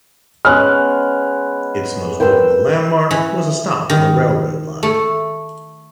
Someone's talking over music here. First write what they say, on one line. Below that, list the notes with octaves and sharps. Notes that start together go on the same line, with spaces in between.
Its most notable landmark was a stop on the railroad line.
G#3 B3 C#4 F6 F#6
A#4 B4 G5 C6 E6
E3
D#3
A3